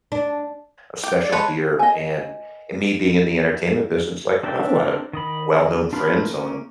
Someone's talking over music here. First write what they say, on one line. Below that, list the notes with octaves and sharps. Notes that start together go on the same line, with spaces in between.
a special beer. And and me being in the entertainment business, like, I have a lot of well known friends on
D4
G4 G5
D5
G#3 B4 C#5 A5
D#5 G#5
C4 D4 A#4 E5 G5
D#3 D#5 B5
D4 F4 A#4 B4 B5
A#3 C#4